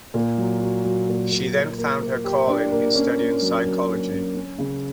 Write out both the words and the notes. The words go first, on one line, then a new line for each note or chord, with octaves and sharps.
She then found her calling in studying psychology.
A#2
F#3
F#4
F#3
A#2
A#2
A#3
A#3
A#3
G4
D4
A#3
C#4
A#3
F#3
F#3
A#3
C#4
C#4
C#3